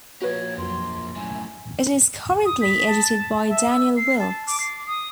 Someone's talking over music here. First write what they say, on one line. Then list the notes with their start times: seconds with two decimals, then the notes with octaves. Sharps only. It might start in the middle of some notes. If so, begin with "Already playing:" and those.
It is currently edited by Daniel Wilks.
0.22 F3 A#3 F#4 B4 C#5
0.58 F2 F#3 C6
1.16 F#2 A2 G#5
2.45 D#6
2.62 B6
2.87 A5
3.49 E5
3.70 E6
3.97 C7
4.19 A5
4.47 D6
4.60 C7
4.87 D#6